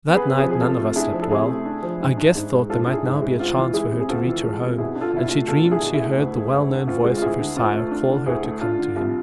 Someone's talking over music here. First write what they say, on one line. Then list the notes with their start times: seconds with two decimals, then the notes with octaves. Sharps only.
That night none of us slept well; our guest thought there might now be a chance for her to reach her home, and she dreamed she heard the well-known voice of her sire call her to come to him.
0.09 B3
0.14 G#4 B4
0.26 C3
0.38 G#4 B4
0.43 F3
0.51 G#4
0.61 C3 F4 A4
0.78 A3
0.96 D4 E4 G#4
1.13 F3
1.22 A4
1.30 C3 E4 G#4
1.48 A3
1.65 D4
1.83 F3
2.00 G#2
2.17 D4
2.35 G#2
2.52 G#3
2.70 G#2 F4 A4
2.87 D4
2.93 E4 G#4
3.04 G#2
3.16 E4
3.22 G#3
3.39 D2 F4
3.56 E3
3.74 G#3 E4 G#4
3.91 C3
4.00 G#4
4.09 D2 F4 A4
4.26 E3
4.44 G#3
4.61 C3
4.78 B2 E4 G#4
4.95 D4
5.01 F4 A4
5.13 B2 E4
5.25 F4
5.31 A3
5.48 B2 F4 A4
5.65 D4
5.71 E4 G#4
5.83 B2
5.94 E4 G#4
6.00 A3
6.18 D2
6.35 G#3
6.53 D2
6.70 D3
6.87 D2 F4
7.04 G#3
7.17 F4
7.22 D2 E4 G#4
7.39 D3
7.56 D2 F4
7.74 A3
7.91 D4
8.09 D3
8.26 D2 E4 G#4
8.44 A3
8.61 D4 F4
8.78 D3
8.96 C2 F4